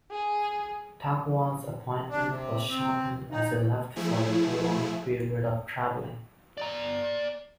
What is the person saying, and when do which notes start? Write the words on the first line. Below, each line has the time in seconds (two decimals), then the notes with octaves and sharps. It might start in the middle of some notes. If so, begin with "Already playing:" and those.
Takuan's appointment was shortened as he left for a prolonged period of traveling.
0.11 G#4
2.09 D4
2.28 C3
2.69 C4
3.31 D#4
3.96 F3 A3 E4 G#4
6.57 D5 A#5